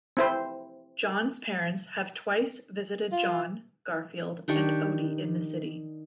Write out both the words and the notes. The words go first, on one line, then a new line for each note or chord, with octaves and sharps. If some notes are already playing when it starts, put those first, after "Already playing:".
Jon's parents have twice visited Jon, Garfield, and Odie in the city.
C4 E4 C5
F4
D#3 D4 G4 C#6